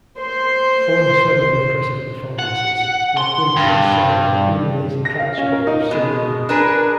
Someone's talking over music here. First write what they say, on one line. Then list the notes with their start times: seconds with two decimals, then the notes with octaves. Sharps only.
Following several impressive performances, Iaquinta was signed by Udinese Calcio of Serie A.
0.19 C5 C6
2.39 F#5
3.17 C6
3.56 G2
5.05 A#6
5.19 F5
5.38 C#4
5.52 A#4
5.67 D#4
5.91 B2 G#3
6.49 D4 G#4 A#4 B4